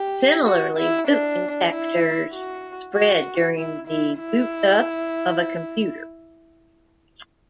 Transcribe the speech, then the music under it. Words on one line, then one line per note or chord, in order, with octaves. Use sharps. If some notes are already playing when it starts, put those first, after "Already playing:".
Similarly, Boot infectors spread during the boot up of a computer.
Already playing: G4
F#4
E4
D4
E4
F#4
F#4
E4
E4
E4